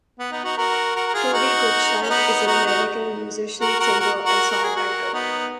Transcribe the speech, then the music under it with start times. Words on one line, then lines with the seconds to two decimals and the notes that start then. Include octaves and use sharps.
Toby Goodshank is an American musician, singer, and songwriter.
0.19 B3
0.31 B3 D#4
0.44 D#4 F#4
0.57 F#4 A#4
0.95 F#4 A#4
1.07 A#4
1.14 F4 G#4
1.33 D#4 F#4
2.02 C#4
2.10 B3 D#4
2.46 D#4 F#4
2.66 D#4 F#4
3.60 F#4 A#4
3.79 F#4 A#4
3.99 F#4 A#4
4.25 F#4 A#4
4.50 F#4
4.63 G#4
4.75 F#4 A#4
5.13 B3 D#4